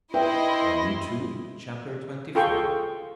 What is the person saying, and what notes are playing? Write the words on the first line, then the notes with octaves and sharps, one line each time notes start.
Volume Two, Chapter XXIV.
E4 B4 D#5 E5 G5 C6
F4 G#4 A4 G5 C6 C#6